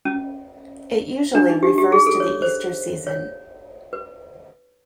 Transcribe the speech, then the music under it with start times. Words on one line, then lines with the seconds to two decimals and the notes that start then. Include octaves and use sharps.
It usually refers to the Easter season.
0.05 C#4
1.35 D4
1.49 D#4
1.63 G4
1.78 G4
1.92 G#4
2.07 A4
2.20 C#5
2.42 C5
3.07 C#5
3.93 B4